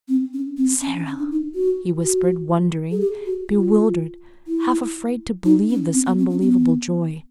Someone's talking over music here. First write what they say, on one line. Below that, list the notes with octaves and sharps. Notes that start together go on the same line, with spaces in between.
"Sara," he whispered, wondering, bewildered, half-afraid to believe this unbelievable joy.
C4
C#4
C4
C#4
C#4
D4
D#4
F#4
F#4
G#4
G4
F#4
F4
E4
D#4
C#4
C4
B3
C4
C#4
B3